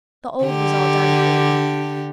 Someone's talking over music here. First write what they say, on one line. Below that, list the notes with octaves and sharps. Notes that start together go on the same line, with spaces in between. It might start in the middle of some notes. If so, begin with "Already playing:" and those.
The old was all done for, you know.'
D3 G4